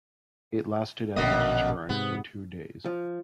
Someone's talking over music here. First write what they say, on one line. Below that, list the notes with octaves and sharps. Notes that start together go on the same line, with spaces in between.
It lasted as a deterrent for two days.
A#1 F#2 B2 D3 A#3 D#5
G#2 C3 B3
F3